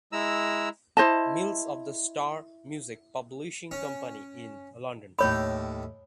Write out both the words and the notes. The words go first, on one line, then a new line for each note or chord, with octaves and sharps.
Mills of the Star music publishing company in London.
G#3 E4 A#5 E6
E4 C5 D#5 A5
C#4
D#2 A2 C#5 D5 B5